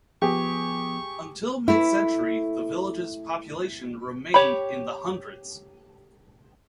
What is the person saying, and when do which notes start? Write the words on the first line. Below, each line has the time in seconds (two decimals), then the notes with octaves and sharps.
Until midcentury, the village's population remained in the hundreds.
0.22 F3 B3 G4 G#4 C#6
1.68 A3 E4
4.34 G4 C#5 G5 B5